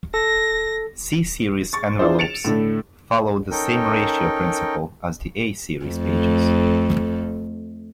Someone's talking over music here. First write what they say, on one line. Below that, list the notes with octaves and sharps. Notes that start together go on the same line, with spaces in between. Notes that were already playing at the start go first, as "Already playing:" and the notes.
C series envelopes follow the same ratio principle as the A series pages.
A4 A#6
C#6 A6
D4 E4 F4 G#4 C5
A6 C#7 D7 E7 F7
A2 D3 A3
C#4 D#4 A4 A#4 G5
F2 A3